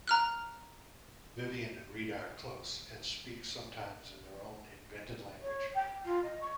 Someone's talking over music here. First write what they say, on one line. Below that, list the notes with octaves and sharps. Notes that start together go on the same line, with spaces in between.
Vivian and Rita are close and speak sometimes in their own invented language.
A#5 F6 F#6
C#5
G5
F4
D#5
C#6